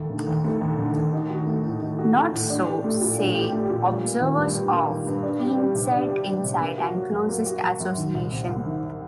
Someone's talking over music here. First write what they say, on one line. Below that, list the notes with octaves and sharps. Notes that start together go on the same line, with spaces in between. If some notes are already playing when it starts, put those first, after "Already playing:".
"Not so," say observers of keenest insight and closest association.
Already playing: D#2 A3
D3
D#2
A3
D#2
D3
D#2
D#4
F#4
A3
A2
D#4
F#4
A3
A2
D4
G4
A3
A#2
D4
G4
A3
A#2
G3
A#3
D#3
G2
G3
A#3
D#3
G2
D4
G4
G3
C3
D4
G4
G3
C3
A#3
F#4
F#3
F#2
A#3
F#4
F#3
F#2
D#3
C2
C3
C2
D#3